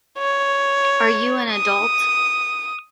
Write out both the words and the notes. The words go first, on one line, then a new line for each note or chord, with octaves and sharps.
Are you an adult?
C#5
D#6